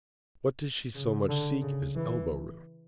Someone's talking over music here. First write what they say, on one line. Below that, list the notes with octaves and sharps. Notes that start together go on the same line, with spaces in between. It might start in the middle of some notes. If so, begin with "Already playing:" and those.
What does she so much seek as elbowroom?
C#3
D3
C#3
E3